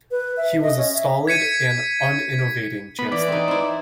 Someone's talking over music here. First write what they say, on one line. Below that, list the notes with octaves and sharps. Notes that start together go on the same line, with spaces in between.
He was a stolid and uninnovating Chancellor.
B4
E5
D#5
C#4
E5
G#6 B6 C#7 D#7
B3 B5
E3 D5
C4 D#4
C4 E4